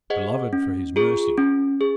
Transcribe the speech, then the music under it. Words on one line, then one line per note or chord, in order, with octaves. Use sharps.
Beloved for his mercy!
G#4 C5 D#5 F#5
C#4
F4 G#4
C#4
G#4